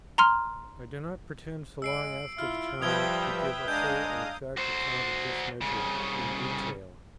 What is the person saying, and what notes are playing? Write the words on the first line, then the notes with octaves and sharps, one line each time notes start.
I do not pretend, so long after the time, to give a full or exact account of this measure in detail.
A#5 C6 F6
G#3 E6 C7 D7
E4 F4 F6
F3 G3 B4 E5 G5 D#6 G#6 G7
G#3 D4 F5 A#5 D#6 G6
F#4 C5
C2 C#3